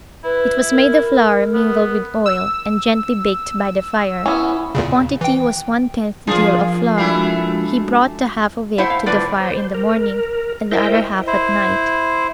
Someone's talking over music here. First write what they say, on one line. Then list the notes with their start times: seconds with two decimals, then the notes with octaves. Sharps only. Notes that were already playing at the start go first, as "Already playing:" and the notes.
It was made of flour mingled with oil, and gently baked by the fire; the quantity was one tenth deal of flour; he brought the half of it to the fire in the morning, and the other half at night.
0.24 E4 B4
0.71 A#4
1.54 B3
2.26 E6
4.26 B3 C#4 E4
4.75 E2 A#2 C#3
5.21 E3 G5
6.27 F3 A#3 D4 F4 G#4
6.98 G#3 A3 D4 E4 F#4
8.78 A2 E4 C5 E5 F#5
8.90 F5
9.06 A2 D3 G3 F4 B4 D5
9.40 C5
9.75 A#4
10.72 E4 A#4 C5 D#5 E5 G5
11.27 E4 C5